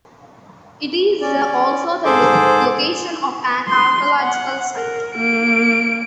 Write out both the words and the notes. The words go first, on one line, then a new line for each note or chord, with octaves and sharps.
It is also the location of an archaeological site.
C#4 D5
G#2 G#4 A4 C5 D6
C6
F#5
A#4
A#3 D7